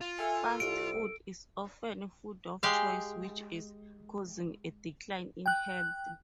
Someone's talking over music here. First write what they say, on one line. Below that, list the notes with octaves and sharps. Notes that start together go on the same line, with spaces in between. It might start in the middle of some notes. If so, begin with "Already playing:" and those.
Fast food is often food of choice, which is causing a decline in health.
F4
A4 E5 G#5
C2 D7
G#3 G4 F5
G5 F#6